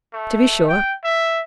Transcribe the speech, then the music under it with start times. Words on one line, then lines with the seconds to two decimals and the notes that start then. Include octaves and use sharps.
'To be sure.
0.14 A3
0.68 G5
1.04 E5